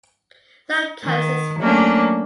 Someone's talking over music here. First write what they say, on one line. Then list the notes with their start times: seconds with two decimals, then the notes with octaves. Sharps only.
No callus is formed.
1.04 D#3
1.59 F#3 A3 A#3 C#4 D4